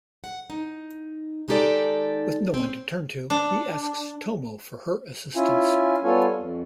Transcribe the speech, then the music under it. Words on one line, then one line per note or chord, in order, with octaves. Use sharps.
With no one to turn to, he asks Tomoe for her assistance.
F#5
D#4
D#3 G#3 D#4 G4 A4 D5
C4 C#4
D4
C#4 E4 F4 G#5
G3 B3 F4 A4 C#5 G#5
F2